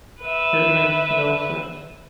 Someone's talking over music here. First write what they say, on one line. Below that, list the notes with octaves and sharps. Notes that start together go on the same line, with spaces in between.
It makes no sense.
B4 E5